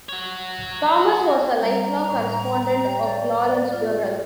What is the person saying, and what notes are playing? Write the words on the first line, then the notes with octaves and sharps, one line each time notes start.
Thomas was a lifelong correspondent of Lawrence Durrell.
F#4 C#5
G3 A#5
A2
G4 C#5 G5
D5
F4